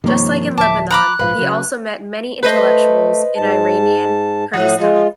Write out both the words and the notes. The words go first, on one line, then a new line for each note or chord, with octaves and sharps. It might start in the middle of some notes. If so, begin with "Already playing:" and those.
Just like in Lebanon, he also met many intellectuals in Iranian Kurdistan.
G2 C3 D#3 F3 A#3 C#5
D1 E5 A5 D6
A#5 B5 D6 F#6
A#1 G#2 F3 B4 F5 B5
C#3 F#3
A3 B4 C5 D#5
G#2 A5
A2 F3 F#5
G#3 F4